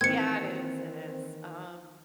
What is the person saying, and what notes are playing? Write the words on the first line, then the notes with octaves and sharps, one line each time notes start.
Yeah, it is, it is, um,
D#3 E3 A#3 C4 G#6 C#7